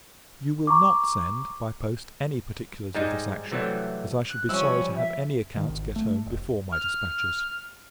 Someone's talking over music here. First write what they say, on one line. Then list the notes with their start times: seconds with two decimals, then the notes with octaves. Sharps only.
You will not send, by post, any particulars of this action, as I should be sorry to have any accounts get home before my dispatches.
0.67 A#5 C#6 D6
2.95 G#2 G3 G#3 D#4
3.52 C3 E3 F#3 G3 A3
4.30 F#6
4.49 F3 G3 C#4 E4 E6
4.96 E5
5.57 D#3
5.69 G#1
5.96 A3
6.26 E1
6.72 F6